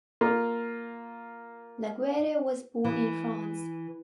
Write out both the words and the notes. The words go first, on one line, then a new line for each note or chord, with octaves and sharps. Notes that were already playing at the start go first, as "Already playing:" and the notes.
Laguerre was born in France.
A#3 F4
E3